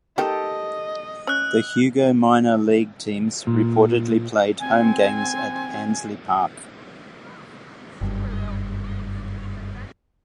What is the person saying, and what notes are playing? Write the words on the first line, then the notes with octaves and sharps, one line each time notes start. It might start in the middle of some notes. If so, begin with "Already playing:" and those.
The Hugo minor league teams reportedly played home games at Ansley Park.
D#3 A3 G4 A4 D#5 G5
C#4 E6 F#6
A#2
C4 G#5
F#1 G2